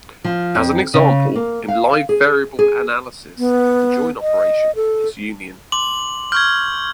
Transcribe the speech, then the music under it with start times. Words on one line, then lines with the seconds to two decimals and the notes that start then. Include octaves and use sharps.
As an example, in live-variable analysis, the join operation is union.
0.24 F3
0.55 F2
0.94 C#3
1.35 A#3
1.68 F5
2.09 G#4
2.59 G#4
3.38 B3
4.21 D#5
4.75 A4
5.72 C6 D6 F#7
6.32 C#6 F6 G6 G#6